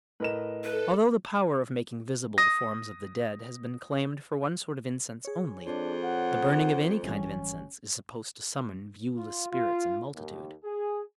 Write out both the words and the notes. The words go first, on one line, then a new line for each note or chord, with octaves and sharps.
Although the power of making visible the forms of the dead has been claimed for one sort of incense only, the burning of any kind of incense is supposed to summon viewless spirits in multitude.
A2 A#4 B4 D#5 E7
E4 A4 B4
D#6 A#6
G#4 C#5
F2 D4
F#5
G#1 E3 G3 C#4
F4
F4
D#2
G#4